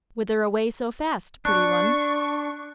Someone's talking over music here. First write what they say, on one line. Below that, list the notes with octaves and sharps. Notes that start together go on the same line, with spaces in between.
"Whither away so fast, pretty one?"
D4 C#6 F#6